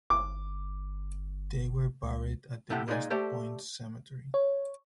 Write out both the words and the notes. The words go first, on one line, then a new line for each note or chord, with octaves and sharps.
They were buried at the West Point Cemetery.
G1 D6
C#2
A2 C3 E4 G4 A4 F#5
A#2 G#3 D#4 B4 D5 G#5
A3 G4 A4 C5 D5
C#5